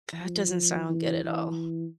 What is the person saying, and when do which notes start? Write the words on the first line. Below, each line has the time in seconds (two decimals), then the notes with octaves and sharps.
That doesn't sound good at all.
0.21 F3
0.90 E3
1.24 E3